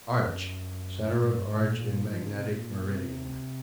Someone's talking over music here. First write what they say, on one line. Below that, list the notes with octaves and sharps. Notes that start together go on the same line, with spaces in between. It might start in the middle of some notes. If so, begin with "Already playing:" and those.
Arch: centre of arch in magnetic meridian.
F#2
A#2
G#2
F#2
G#2
A#2
A#2
F3
C#3
C3
A#2
C3